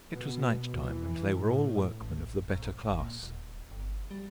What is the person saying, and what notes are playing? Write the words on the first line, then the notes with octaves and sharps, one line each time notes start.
It was night-time, and they were all workmen of the better class.
B2
E3
A2
A1
A#1
G1
A#2
D#1
G1
G3